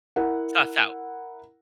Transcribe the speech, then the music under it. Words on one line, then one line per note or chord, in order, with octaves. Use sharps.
Stuff out.
E4 A#4 F#5